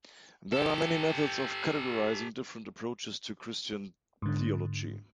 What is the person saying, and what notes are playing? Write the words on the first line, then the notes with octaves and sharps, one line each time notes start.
There are many methods of categorizing different approaches to Christian theology.
G4 A4
G#2 D3